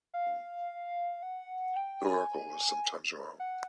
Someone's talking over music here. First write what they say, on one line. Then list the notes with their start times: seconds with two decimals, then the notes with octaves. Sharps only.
The oracle was sometimes wrong.
0.14 F5
1.23 F#5
1.76 G5
2.04 G#5
3.40 F#5